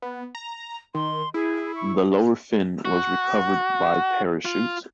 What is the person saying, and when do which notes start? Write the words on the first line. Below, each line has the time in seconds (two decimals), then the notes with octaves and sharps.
The lower fin was recovered by parachute.
0.02 B3
0.35 A#5
0.95 D#3 C6
1.34 E4 G#4
1.75 C#6
2.85 F#4
4.45 F4